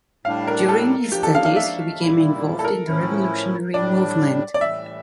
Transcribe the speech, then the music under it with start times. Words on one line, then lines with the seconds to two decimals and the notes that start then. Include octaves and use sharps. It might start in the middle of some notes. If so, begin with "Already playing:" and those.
During his studies he became involved in the revolutionary movement.
0.25 A2 G3 D4 F5
0.47 A#4
0.69 A4
1.12 F3 A#3 D4 G4
1.23 A4
1.35 F5
1.45 F5
1.56 E5
2.00 A#2 G3 A#3 E4
2.59 A4
2.65 A#4
2.87 A2 F3 C#4 E4
3.73 A2 G3 D4 D5
4.54 D5
4.60 A2 E3 G3 E5